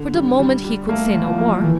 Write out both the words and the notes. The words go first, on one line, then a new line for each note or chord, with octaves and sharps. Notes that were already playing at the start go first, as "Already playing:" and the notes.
For the moment he could say no more.
Already playing: D3
G3
G3
G3
A3 A#3
E2
F3
A#3
E3 A3